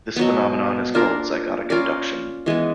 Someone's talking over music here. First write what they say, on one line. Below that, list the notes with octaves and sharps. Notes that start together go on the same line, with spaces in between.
This phenomenon is called Zygotic induction.
B2 F#3 B3
A#3 D4 F4 A#4
C#4 F4 A#4 D5
E3 G#3 B3